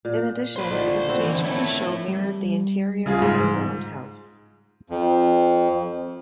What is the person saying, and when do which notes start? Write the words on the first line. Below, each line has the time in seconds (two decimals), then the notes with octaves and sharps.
In addition, the stage for the show mirrored the interior of a roundhouse.
0.05 A#2
0.56 C5 B5
0.71 D3 D#3 F3
1.08 B3 C4
1.20 D3 E3
1.44 E4 C#5
2.08 G3
3.06 C#3 F4 G#4
3.22 G#2
4.90 F2